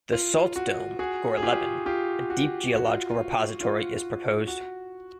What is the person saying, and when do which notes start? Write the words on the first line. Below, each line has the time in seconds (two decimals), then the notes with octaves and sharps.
The salt dome Gorleben, a deep geological repository is proposed.
0.12 F4
0.56 F#4
0.99 F#4 G#4
1.37 G#4
1.43 F4 G4
1.86 F4 G4
2.30 F#4
2.73 F#4
2.85 F4
3.10 F4
3.61 F4
4.47 F#4